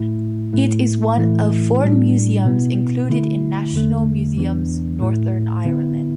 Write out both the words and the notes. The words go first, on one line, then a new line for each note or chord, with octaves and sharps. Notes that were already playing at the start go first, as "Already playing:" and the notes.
It is one of four museums included in National Museums Northern Ireland.
Already playing: A2 A3 E4
A2 A3 E4
A2 E3 A3 E4
A2 G3 D4
B2 B3 E4
D3 A3 E4
E2 D3 A3
E2 E3 B3 D4
A2 A3 E4
D3 B3 E4